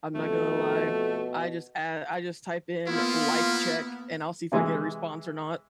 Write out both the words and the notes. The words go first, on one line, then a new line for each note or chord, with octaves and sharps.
I'm not gonna lie, I just add I just type in "life check," and I'll see if I get a response or not.
F2 B2 A3
A#3 B3 E4 F4
C3 E3 G#3